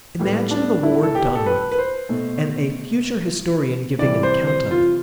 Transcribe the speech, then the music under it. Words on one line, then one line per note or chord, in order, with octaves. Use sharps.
Imagine the war done with, and a future historian giving an account of it.
A2 G3 B3
D4
E4
A4
G4
A4
B4
B4
C5
B2 A3
C3 E3 G3 D5
C5
C5
F4